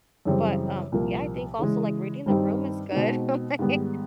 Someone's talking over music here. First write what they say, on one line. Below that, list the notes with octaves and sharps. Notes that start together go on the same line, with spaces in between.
But, um, yeah, I think also, like, reading the room is good, like,
F#2 C#3 E3 G3 C4
C2 A#2 F3 A#3
C#3 E3 G#3
G2 D#3 G3 C4 D#4
B2 G#3 C4 D#4
G#2 D#3 G3 B3